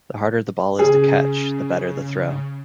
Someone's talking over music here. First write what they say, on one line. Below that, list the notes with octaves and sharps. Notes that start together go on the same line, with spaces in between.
The harder the ball is to catch, the better the throw.
C#3 G#4